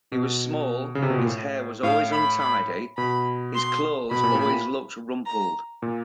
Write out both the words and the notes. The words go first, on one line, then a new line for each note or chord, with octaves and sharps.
He was small, his hair was always untidy, his clothes always looked rumpled.
B2
C#3
C3
B2
A#2
A2
A2 F5
B5
B5
B2 B5
C6
B2 B5
A#2
A2
A#2
A#5
A#2